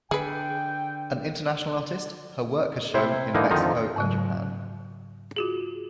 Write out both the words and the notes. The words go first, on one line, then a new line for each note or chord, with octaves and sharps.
An international artist, her work has shown in Mexico and Japan.
D3 G#4 B4 G5
C3 E4 C5
D3 E3 A#3 D#4
F2 D3 D#3 F3 D#4
G#2 C#3 F#3
F4 F#4 G#4